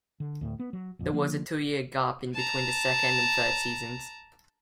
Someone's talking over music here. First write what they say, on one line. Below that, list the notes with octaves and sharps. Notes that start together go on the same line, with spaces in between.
There was a two-year gap in between the second and third seasons.
D3
D2 A2
B3
F#3
A#1 F2
D3 F3 A#3 D4
A5 A#5